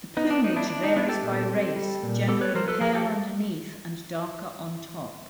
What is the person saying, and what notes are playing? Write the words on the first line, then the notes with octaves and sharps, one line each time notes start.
The plumage varies by race, generally pale underneath and darker on top.
B3 D#4
D4
D4 D#4
D4 E4
D4
D#4
B3 D4 E4
G4 A4
A#2
C4
G3
A#2
B3 G4 A4
B4 C#5
F3 A#4 C5
A4 B4
F3 G#4 A#4
G4 A4